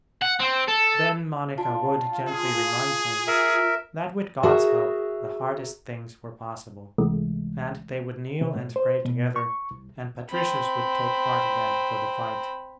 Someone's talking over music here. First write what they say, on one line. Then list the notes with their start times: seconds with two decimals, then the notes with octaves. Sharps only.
Then Monica would gently remind him that with God's help the hardest things were possible, and they would kneel and pray together, and Patricius would take heart again for the fight.
0.22 F#5
0.40 C4
0.68 A4
1.58 D4 F4
2.28 G#4
3.28 A#4 E5
4.43 F#4 G#4 A#4 E5
6.98 C#2 C3 E3 G#3 A3
8.41 C3
8.55 A2
8.76 C5
9.05 B2
9.36 C#6
9.71 C2
10.30 C4 B5